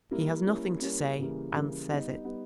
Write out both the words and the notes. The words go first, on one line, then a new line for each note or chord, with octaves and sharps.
He has nothing to say and says it.
G3 A#3 E4
G3 A#3 C#4 E4
G3 A#3 C#4 E4
C#3 E3 G3 A#3
C#3 E3 G3 A#3
G3 B3 D#4
G3 B3 D#4